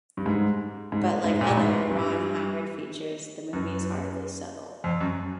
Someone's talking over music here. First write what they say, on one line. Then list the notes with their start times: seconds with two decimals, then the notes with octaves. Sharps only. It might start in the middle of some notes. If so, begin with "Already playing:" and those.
But like other Ron Howard features, the movie is hardly subtle.
0.17 G2
0.26 G#2
0.92 G#2
1.24 G#2
1.41 A#2
1.50 A2
1.57 G#2
1.90 G2
3.53 F#2
4.84 F2
5.01 F#2